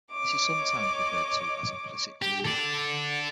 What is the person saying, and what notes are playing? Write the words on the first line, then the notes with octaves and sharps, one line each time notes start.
This is sometimes referred to as "implicit collusion".
C#5 D#5 D6
G4
A4 D5